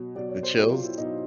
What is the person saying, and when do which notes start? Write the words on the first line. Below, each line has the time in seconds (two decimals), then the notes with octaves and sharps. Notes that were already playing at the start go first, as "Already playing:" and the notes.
Uh, the chills?
Already playing: B2 F#3
0.15 B2 F#3 D5
0.29 C#5
0.43 C5
0.57 B2 F#3 G4
0.70 F4
0.84 E4
0.98 B2 F#3 D#4